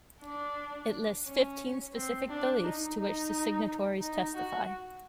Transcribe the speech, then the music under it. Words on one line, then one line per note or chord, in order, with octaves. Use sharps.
It lists fifteen specific beliefs to which the signatories testify.
D4
C#4
C4
D4
D#4
D#4
D#4
F#4